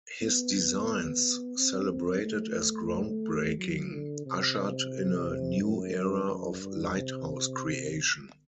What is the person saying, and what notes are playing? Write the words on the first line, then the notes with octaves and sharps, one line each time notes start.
His designs, celebrated as ground breaking, ushered in a new era of lighthouse creation.
B3
C4
A3
F#3
D3
C3
F#2
F#2
F#2
G2
C3